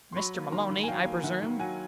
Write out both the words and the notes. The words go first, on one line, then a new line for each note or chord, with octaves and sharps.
"Mr. Maloney, I presume?"
C6
F#3 B5 C#6
A#3
D#3 A#5 C6
D#3
G#5
F#3 F5 G5
A#3
D#3 E5 F#5
D#3
F#3 F#5 G#5